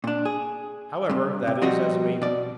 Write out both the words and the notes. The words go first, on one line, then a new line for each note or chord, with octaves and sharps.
However, that is as may be.
A#2 D4
G#4
G2 C3
C3
F3 G3 C4 D#4 F#4 D#5
B2 D5